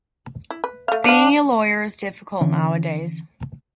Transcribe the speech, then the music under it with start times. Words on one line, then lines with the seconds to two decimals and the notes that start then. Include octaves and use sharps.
Being a layer is difficult nowadays.
0.50 E4
0.64 B4
0.88 A3 F5
1.04 F3 D4 F5
2.41 D3 E3 C#4